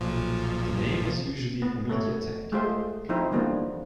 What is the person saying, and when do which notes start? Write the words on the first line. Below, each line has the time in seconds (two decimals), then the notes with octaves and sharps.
The name is usually a media tag.
0.01 B1 A#2 F3
1.62 B3
1.89 A3 B3 C#5
2.52 G#3 A3 F4 G4 C5
3.09 F3 C4 D#4 E4
3.31 D3 E3 F3 G3 A#3 B3